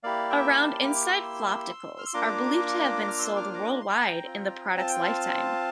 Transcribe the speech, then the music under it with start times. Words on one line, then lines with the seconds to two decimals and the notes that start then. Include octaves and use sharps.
Around Insite flopticals are believed to have been sold worldwide in the product's lifetime.
0.03 A#3 E4 G4 D5 F5
0.30 E5 G5
0.57 F5 A5
0.82 D6 F6
1.09 C6 E6
1.99 F6
2.06 E6
2.13 A#3 D4 F4 A#5 D6
3.08 F6
3.18 C6 E6
3.36 D6 F6
3.53 A#5 D6
3.72 A#5
3.81 C6
3.90 G5 A#5
4.24 C4 F4
4.77 A5
4.89 G5
5.03 F5 A5